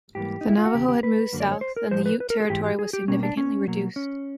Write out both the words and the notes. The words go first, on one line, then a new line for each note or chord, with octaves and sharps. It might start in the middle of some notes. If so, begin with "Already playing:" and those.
The Navajo had moved south and the Ute territory was significantly reduced.
G#2 E3 G3 A#3 G4
D#4
E4
F4
F#4
E2 C#3 G4
G4
B4
F#2 D3 F#3 A#3
D5
C#5
C5
A#4
A2 F3 G#3 C5
B4
B4
A#4
A4
G#4
G#2 E3 G#3 G4
G4
G#4
G4
B2 G3 A#3 C#4
D4
C#4
B2 F#3 A#3
C#4